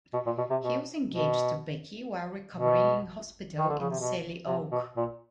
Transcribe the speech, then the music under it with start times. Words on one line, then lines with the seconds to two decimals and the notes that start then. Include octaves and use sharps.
He was engaged to Becky while recovering in hospital in Selly Oak.
0.13 B2
0.26 A#2
0.38 B2
0.50 C3
0.62 B2
1.10 B2
2.54 B2
3.58 D#3
3.68 D3
3.79 C#3
3.90 C3
3.99 B2
4.47 C3
4.72 B2
4.96 A#2